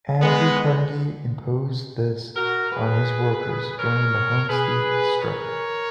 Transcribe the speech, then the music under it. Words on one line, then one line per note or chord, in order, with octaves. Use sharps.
Andrew Carnegie imposed this on his workers during the Homestead Strike.
G#3 B3
F#4 A#4
G#4 B4
A#4 C#5
G#4 B4
A#4 C#5